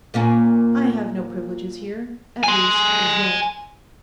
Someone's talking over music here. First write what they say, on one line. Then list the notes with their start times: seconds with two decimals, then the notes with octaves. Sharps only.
'I have no privileges here; at least as yet.'
0.14 A#2 A#3 C#4
2.43 G#5 C6